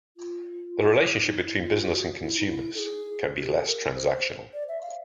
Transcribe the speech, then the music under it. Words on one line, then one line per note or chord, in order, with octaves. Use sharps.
The relationship between businesses and consumers can be less transactional.
F4
E4
D#4
E4
F4
G4
F#4
E4
D#4
E4
A4
G#4
F#4
G4
G#4
A4
A#4
C5
D5
E5
F5